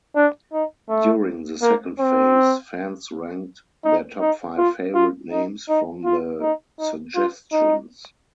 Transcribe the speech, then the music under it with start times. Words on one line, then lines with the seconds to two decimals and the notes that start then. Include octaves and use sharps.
During the second phase, fans ranked their top five favorite names from the suggestions.
0.16 D4
0.53 D#4
0.89 A3
1.62 A#3
1.99 C4
3.84 D#4
4.20 D#4
4.58 F4
4.94 F4
5.31 D#4
5.69 D#4
6.05 F4
6.41 D#4
6.79 D#4
7.15 F4
7.52 D#4